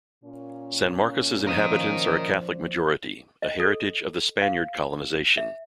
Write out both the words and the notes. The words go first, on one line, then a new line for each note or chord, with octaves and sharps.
San Marcos' inhabitants are a Catholic majority, a heritage of the Spaniard Colonization.
A#2 C#4
F3 A#4 D#5
D5
D#5
A4
F5
E5